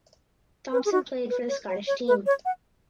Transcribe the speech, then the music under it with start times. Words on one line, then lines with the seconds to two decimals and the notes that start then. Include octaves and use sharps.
Thomson played for the Scottish team.
0.72 B4
0.86 G#4
0.92 F#4
1.30 B4
1.49 C#5
1.69 C#5
1.87 C#5
2.08 B4
2.26 C#5
2.45 F#5